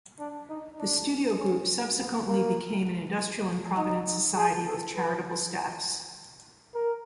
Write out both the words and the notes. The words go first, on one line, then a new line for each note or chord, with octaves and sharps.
The studio group subsequently became an Industrial and provident society with charitable status.
D4
D#4
D4
C#4
B3
A#3
D#4
G#4
A4
B4
A#4